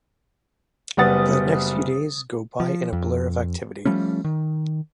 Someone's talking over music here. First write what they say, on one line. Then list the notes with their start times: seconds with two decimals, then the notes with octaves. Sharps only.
The next few days go by in a blur of activity.
0.97 F#1 G3 B3 F#5 D#6 A6
2.60 F3
2.93 F2
3.85 F3 G3 A3 C#4
4.24 D#3